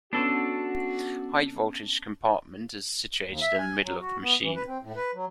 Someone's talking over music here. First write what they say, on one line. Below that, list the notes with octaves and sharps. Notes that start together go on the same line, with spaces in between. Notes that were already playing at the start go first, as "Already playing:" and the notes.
High voltage compartment is situated in the middle of the machine.
B3 C#4 D4 F#4 A4
D#2
E5
G#5
F#3
F#4
B3
E3
B4
C4
A2
B4
F#3